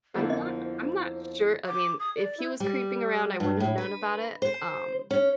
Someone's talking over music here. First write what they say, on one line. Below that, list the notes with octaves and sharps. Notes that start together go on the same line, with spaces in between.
I'm not I'm not sure, I mean, if he was creeping around, I wouldn't have known about it, um,
F2 D3 A#3 B3 E4 C5
D#5
D6
D#6
D5
E4
G3
G2
A2
B4
C5
C#4